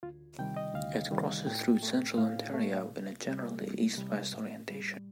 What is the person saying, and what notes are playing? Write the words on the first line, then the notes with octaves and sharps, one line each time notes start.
It crosses through central Ontario in a generally east-west orientation.
D2 F4
C3 D#3 G3 G5
D#5
D2 F5
C3 D#3 G3
A2 G5
A3
A2 F5
A3
C2
C3 G3
C2
C3 G3
A2
G3